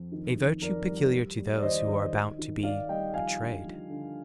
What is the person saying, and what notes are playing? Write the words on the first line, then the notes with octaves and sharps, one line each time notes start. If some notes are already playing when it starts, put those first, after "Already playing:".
A virtue peculiar to those who are about to be betrayed.
Already playing: F2
D#3
D#3
F2 A#4 D5
G3
G3
G3
D5
D#2 C5 D#5
D#3
D#3
D#3
D#3 D5 F5
G3 D#5 G5
F3 F5 G#5
D3
F3
D3